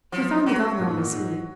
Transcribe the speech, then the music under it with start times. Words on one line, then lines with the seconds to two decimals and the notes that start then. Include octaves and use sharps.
He found the governor on his feet.
0.12 F3 F#3
0.46 C#3 F#3
0.79 A#2
0.87 G#2
0.97 A#2
1.12 G#2